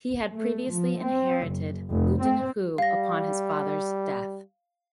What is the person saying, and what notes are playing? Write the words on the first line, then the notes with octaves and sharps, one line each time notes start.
He had previously inherited Luton Hoo upon his father's death.
A3
F3
C4
F#1
F1
C4
G3 F5 A#6